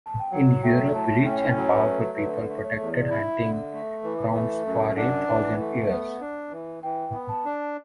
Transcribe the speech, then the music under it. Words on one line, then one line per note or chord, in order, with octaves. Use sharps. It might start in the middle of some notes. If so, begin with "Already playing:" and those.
In Europe, rich and powerful people protected hunting grounds for a thousand years.
A5
G5
F#3 F#5
A3 G5
A2 A5
C#4 G5
F#3 C#5
B4
A3
D3 B4
A3
C#5
E2
D5
E4 E5
D3
A3
E3
A3
F#2
D4 F#5
E3
A3
B3
D4
E3
E3 G5
B3
A5
D4